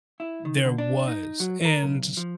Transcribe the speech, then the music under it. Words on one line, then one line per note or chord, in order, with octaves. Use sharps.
there was, and,
E4
D#3
D3
D4
D#4
F#3
A#4
B1
F3